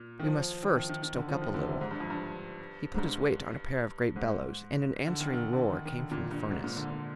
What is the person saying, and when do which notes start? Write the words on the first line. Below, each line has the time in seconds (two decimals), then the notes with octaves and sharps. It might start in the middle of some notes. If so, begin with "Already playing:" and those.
"We must first stoke up a little." He put his weight on a pair of great bellows, and an answering roar came from the furnace.
Already playing: A#2
0.19 D#3
0.24 F3
0.63 D#3
0.70 F3
0.76 D#3
0.89 D#3
1.02 D#3
1.16 D3
1.28 F3
1.42 D#3
1.54 D3
1.67 C3
1.81 G#2
1.91 G2
2.00 F2
2.10 G2
2.94 G#2
2.98 G2
4.16 G#2
5.07 D3
5.20 D#3
5.27 D3
5.33 D#3
5.53 D3
5.73 D#3
5.85 D#3
5.99 D3
6.11 A#2
6.31 G2
6.51 G#2
6.64 A#2
6.76 D3
6.90 D3